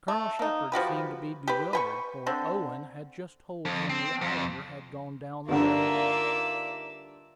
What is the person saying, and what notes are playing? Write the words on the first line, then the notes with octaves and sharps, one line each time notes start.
Colonel Shepard seemed to be bewildered, for Owen had just told him the Islander had gone down the river.
A3
A#3 D#4
F3 F#4 G4 B4
G4 B4
B4 G5 C#6
D3 C4
F2
C4
F2
G2 D3 A#3 D#4 F4 A#4 D5 E5